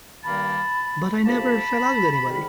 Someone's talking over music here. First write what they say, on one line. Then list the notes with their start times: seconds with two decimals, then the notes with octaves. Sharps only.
But I never fell out with anybody.
0.24 G2 D#3 G3 A#3 A5 B5
1.23 D2 C3 F3 A#3 A5 B5
2.23 G#2 D#3 G3